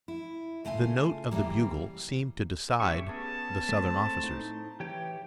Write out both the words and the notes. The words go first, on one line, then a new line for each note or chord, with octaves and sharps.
The note of the bugle seemed to decide the Southern officers.
E4
C#3 A3 F4 G#5
C#3 E3 F3 G3 A#3
A2 C#4 G4 E5 C#6
B3 C#4 G#4 A5
A3 C4
A2 D#4
E3 G4 C#5 G5